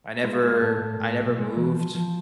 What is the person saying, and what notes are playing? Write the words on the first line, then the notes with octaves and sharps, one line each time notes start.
I never I never moved.
G#3 E4
F4
G#3 E4
F4
A2 A4
A2
A2
B1
G#3
E3
F3
F3